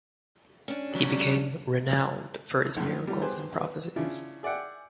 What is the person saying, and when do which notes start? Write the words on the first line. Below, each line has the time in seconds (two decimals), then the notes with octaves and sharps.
He became renowned for his miracles and prophecies.
0.68 C#4 D4
0.96 F#3 G3
2.77 A#1 F#2 A2
3.07 E3 F#3 G3
3.22 B3 G4 G#4 B4 C5
3.57 B3
3.96 C#3 D4 E4 F4
4.43 G#4 D5 E5 F#5 G5